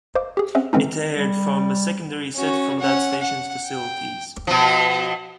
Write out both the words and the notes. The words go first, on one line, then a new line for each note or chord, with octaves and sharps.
It aired from a secondary set from that station's facilities.
C5 D#5 F5 D6
G4 G#4
C4 C#4 G#4 C5 E5 F#5
D3 E3 G#3 C4 C#4 D#4
G3
C#4 F#4
C#4 F#5
F#5
G5
B2 F3